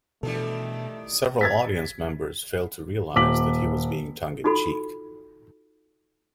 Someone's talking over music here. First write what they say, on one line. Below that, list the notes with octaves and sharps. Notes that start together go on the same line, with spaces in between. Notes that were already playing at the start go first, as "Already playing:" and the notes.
Several audience members failed to realise that he was being tongue in cheek.
B2 D#3 E3 G3 A3 D4 A4
G#6 A6 B6
D#1 D6 B6 F#7
D#4 F4 F#4 A4 B5